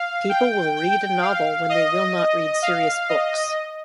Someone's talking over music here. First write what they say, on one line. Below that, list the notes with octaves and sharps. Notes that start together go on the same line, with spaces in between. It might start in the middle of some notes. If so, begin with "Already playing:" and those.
People will read a novel when they will not read serious books.
Already playing: F5
G5
G5
F5
D#5
D#5
F5
D#5